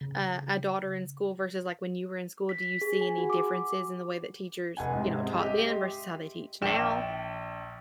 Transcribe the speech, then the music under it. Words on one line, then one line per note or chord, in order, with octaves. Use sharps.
a a daughter in school versus, like, when you were in school, do you see any differences in the way that teachers, you know, taught then versus how they teach now?
C#3
B6
G#4
G#5
F#4
D6
F1 F#5 G#5
G#2 C3
C4 G#4
G4 D#5 E5
C6
A#1 G5 E7